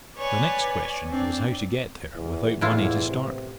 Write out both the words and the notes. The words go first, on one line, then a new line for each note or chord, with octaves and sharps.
The next question was how to get there without money to start with?
B4 C#5 D5 G#5
C4 D4 D5
E2
E2 A2 E4 F4
C3